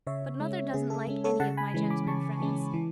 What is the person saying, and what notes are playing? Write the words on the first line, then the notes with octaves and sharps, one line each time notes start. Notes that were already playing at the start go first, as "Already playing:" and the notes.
But mother doesn't like any of my gentlemen friends.
C#3 C#5 E5
G#3 C#4
C#3 G#4
A4
G#3 C#4
A4 C#5
C#3 F#5 A5
G#5 B5
E3 G#3 C#4
B5 D6
C#3 A5 C#6
E3 G#3 C#4
E3